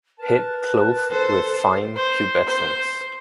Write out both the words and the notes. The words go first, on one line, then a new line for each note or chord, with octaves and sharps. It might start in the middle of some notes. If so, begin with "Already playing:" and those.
Head clothed with fine pubescence.
A#4 B4 A5
A4 C5
C5
C5